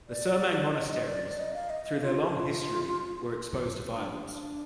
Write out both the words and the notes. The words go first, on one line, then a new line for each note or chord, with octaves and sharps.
The Surmang monasteries, through their long history, were exposed to violence.
D5
D#5
D5
D#5
F5
D#5
D#5
F4
D4